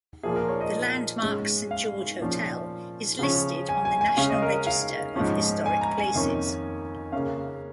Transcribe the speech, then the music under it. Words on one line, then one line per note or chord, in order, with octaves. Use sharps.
The landmark Saint George Hotel is listed on the National Register of Historic Places.
A#2 F3 A#3 G#4
A#4
C#5
D#5
G#2 G#3 C#4
F5
A#2 F3 C#4
C#3 F3 C#4
G#5
G#5
G#5
C#3 G#3 C#4 F5
D#5
A#4
F5
G#2 F3 C#4
G#5
A#5
G#5
F2 D#3 A#3 C#4
C#3 A#3 C#4 F5